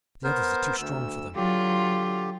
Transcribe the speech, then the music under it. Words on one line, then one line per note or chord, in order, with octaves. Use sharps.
The others are too strong for them.
B3 A#4 C5
D2 E6
D3 F#3 F4 G4